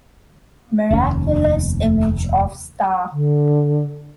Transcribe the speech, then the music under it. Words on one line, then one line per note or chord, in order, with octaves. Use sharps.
Miraculous Image of Sta.
F1 D#2 C#4
D3